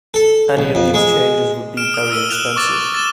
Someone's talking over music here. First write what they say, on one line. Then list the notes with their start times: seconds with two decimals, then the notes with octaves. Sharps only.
Any of these changes would be very expensive.
0.14 A4
0.57 B1
0.75 F2
0.94 G#3
1.77 F6 D7 E7
1.94 D#6 F6 D7
2.10 D#6 E6 D#7 G7
2.30 F#6 E7 F7 G7
2.56 C#6 D6 A6 E7
2.94 A6 E7 G7